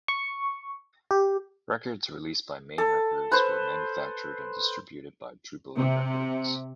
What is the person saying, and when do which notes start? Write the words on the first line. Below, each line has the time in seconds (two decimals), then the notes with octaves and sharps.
Records released by Maine Records were manufactured and distributed by Jubilee Records.
0.08 C#6
1.11 G4
2.78 A4
3.32 B4 C5
5.76 C3